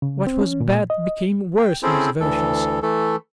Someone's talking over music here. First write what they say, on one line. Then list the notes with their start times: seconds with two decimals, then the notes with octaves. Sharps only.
What was bad became worse in his versions.
0.02 C#3
0.27 C4
0.41 C#4
0.60 A#2
0.90 D#5
1.57 G5
1.83 C4 C#4 E4 G#4 A4 C5
2.20 D2 E3 A4
2.82 E3 A3 A4